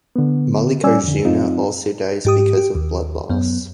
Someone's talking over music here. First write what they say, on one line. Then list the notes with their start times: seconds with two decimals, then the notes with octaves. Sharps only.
Mallikarjuna also dies because of blood loss.
0.16 D3 B3
0.83 G3 C#4 D5 G#5 E6
1.04 F2 D3
1.25 F#2 C4 D#4 F4
2.25 G#2 G4 D#6
2.57 G4
2.75 D#2
3.30 F#2 B3